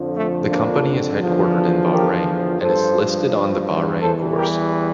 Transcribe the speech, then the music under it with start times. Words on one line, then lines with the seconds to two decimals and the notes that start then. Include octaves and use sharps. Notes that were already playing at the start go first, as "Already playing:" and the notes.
The company is headquartered in Bahrain and is listed on the Bahrain Bourse.
Already playing: F2 D3 F3
0.17 A3
0.51 A#3 D4
1.22 E2 D3 F3
1.91 G4 A#4
2.61 G2 F3 A4 C5
4.02 E2 E3 G3 A4 C5
4.36 G4 A#4